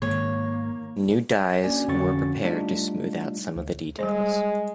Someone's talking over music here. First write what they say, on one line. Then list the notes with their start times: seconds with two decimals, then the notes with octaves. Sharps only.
New dyes were prepared to smooth out some of the details.
0.02 G#2 D#3 A#3 C#5
1.64 A#3 C#4 D4 F#4 D5 G#5
1.88 F2 D3 C#4 F#4 C#6 A6
2.45 G3 A3 D4 D#4 F4
3.56 D2
3.99 G3 G#3 C5